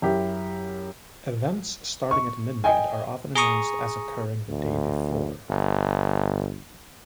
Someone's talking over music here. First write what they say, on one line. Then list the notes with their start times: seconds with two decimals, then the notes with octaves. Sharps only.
Events starting at midnight are often announced as occurring the day before.
0.02 F#2 E4 G4
2.11 C#6
2.64 D#5 G5 G#5
3.35 G#4 A#5 C#6 D#6
4.50 D2
5.49 G1